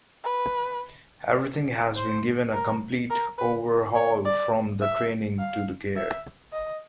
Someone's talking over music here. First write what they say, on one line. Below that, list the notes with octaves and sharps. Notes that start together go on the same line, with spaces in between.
Everything has been given a complete overhaul from the training to the gear.
B4
C5
A#4
A#4
B4
C#5
D5
E5
F5
E5
D#5